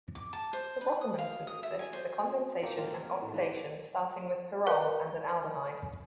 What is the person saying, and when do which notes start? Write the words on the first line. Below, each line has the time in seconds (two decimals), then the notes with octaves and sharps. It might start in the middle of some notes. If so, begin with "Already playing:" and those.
The Rothemund synthesis is a condensation and oxidation starting with pyrrole and an aldehyde.
0.15 D6
0.33 A5
0.53 C5
0.81 B4
1.01 D#6
1.18 F5
1.47 D#6
1.63 E5
1.79 G#5
1.93 C5
2.62 F3 A#3 C4
2.77 E3 F4
2.92 E5
3.22 A2
3.34 E3 G4
4.66 A#4 B4 D5 F5